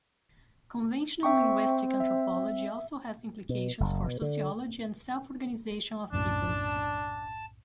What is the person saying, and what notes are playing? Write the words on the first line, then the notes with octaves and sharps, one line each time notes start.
Conventional linguistic anthropology also has implications for sociology and self-organization of peoples.
C4 E5 G5 C#6
E5
B2
F#1
B2
D3
B1 F#2 A2 D4 A5